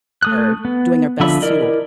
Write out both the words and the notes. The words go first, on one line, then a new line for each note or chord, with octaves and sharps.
are doing their best to
A3 D#6 F#6
B3
D3 F3 E5 B5
E4 A#4 D5 D#5